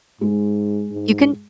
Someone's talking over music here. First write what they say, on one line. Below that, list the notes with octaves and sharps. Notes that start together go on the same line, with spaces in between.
You can
G#2 G#3
G#2